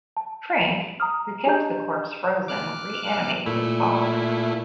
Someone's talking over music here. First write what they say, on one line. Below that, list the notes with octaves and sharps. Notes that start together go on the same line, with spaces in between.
Frink, who kept the corpse frozen, reanimates his father.
A5
A#5 D#6 F6
D4 G4 G#4 D#5 A#5 G6
D6 F6 F#6
A#2 A3 E4